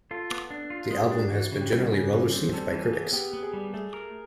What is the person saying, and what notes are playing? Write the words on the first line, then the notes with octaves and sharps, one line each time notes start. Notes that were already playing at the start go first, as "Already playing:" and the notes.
The album has been generally well received by critics.
F4 A4
B3
D4
F4
G#3
G4
D4
E3 F#4
C#3
G4
G3
C#3 G#4
G3
C4
G3 A4
E3
G#4
B3
B3 G4
B3
G#4
G3
A3 G#4
A#4